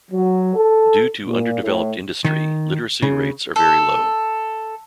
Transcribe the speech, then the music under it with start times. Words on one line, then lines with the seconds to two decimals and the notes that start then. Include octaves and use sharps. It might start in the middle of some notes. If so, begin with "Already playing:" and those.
Due to underdeveloped industry, literacy rates are very low.
0.12 F#3
0.55 A4
1.26 A#2
1.61 A2
2.25 D#3
3.02 C#3
3.56 A4